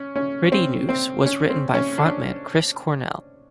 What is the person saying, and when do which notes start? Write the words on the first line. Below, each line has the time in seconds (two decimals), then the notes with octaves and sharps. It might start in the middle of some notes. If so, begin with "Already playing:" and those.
"Pretty Noose" was written by frontman Chris Cornell.
Already playing: C#4
0.16 C#4
0.52 C4
0.89 C4
1.26 C#4
1.49 C4
1.74 C#4
1.98 D4